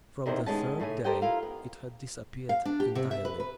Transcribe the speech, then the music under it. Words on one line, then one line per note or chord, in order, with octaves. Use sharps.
From the third day it had disappeared entirely.
E2 C3 D#3 A#3 C5
D#2 A2 G#3 B3 C#4 A5
A2 A3 C#5 G#5
G4 A4 A#4 C5 D#5 G5
E4 F4 A#4 F5
B3
F5
D4
G4
C3
E5
B4
B4